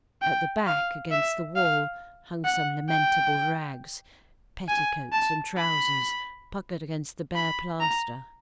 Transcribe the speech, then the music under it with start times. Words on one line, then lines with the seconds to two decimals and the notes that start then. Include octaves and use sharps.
At the back, against the wall, hung some lamentable rags, petticoats and trousers, puckered against the bare plaster.
0.22 G5
0.67 F5
1.11 E5
1.56 F5
2.45 F#5
2.89 G5
4.68 G#5
5.12 A5
5.57 B5
7.36 B5
7.80 A#5